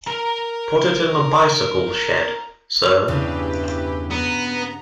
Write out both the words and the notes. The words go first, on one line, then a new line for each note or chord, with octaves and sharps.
Put it in the bicycle shed, sir.
A#4 A#5
E2 G2 C#3 E3 G4 B4
B3 A#5